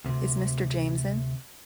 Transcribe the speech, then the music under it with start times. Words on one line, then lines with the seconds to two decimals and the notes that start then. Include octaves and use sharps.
Is Mr. James in?
0.05 D2 C3